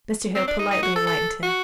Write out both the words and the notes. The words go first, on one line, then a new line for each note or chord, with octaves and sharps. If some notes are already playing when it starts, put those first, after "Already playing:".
Mr. Hale politely enlightened him.
C4
D4
D#4
D#4
F#4
A4
A4
F#4